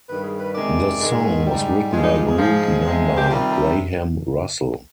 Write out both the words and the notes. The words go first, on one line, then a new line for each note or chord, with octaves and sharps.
The song was written by group member Graham Russell.
G2 D#3 G3 B4
G#4
B4
C3 D#3 G#3 D5
G#2 D#3 G#3
G#2 G3
D#4
D4
G2 F3 G#3 F4
D#4
F4
G#4
G#2 F3 G#3
C3 F3 G#3
G4
C3 D#3 G3 F4